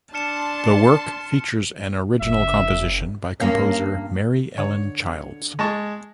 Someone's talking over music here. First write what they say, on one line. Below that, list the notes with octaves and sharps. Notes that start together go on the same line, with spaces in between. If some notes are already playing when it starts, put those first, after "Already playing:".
The work features an original composition by composer Mary Ellen Childs.
D4 A5 C6 F6 C#7 E7
F#1 E5
G2 A#3 C#4
D3 C#5
G#3 A5 C#6